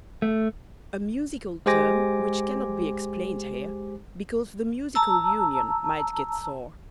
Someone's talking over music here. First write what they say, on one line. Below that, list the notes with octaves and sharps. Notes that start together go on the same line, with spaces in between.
A musical term which cannot be explained here, because the Musical Union might get sore.
A3
G#3 G4 C5 G#5 D6 A#6
A5 A#5 E6